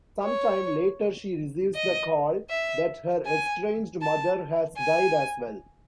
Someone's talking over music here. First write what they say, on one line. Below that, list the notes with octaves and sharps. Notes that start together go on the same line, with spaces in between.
Sometime later she receives the call that her estranged mother has died as well.
C#5
D#5
E5
G#5
A5
G#5